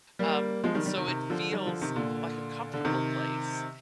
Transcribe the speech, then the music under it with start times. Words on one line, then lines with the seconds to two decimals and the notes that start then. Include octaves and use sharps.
Um, so it feels like a comfortable place,
0.19 G3 A#3
0.64 F3 G#3
0.74 D#3 G3
0.86 D#3 G3
0.97 C3 D#3
1.08 C3 D#3
1.30 D3 F3
1.52 D#3 G3
1.66 D3 F3
1.81 C3 D#3
1.96 A#2 D3
2.73 D3
2.85 C3 D#3